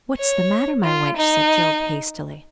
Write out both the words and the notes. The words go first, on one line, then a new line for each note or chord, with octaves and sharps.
"What's the matter, my wench?" said Job, hastily.
C#5
F4
D#4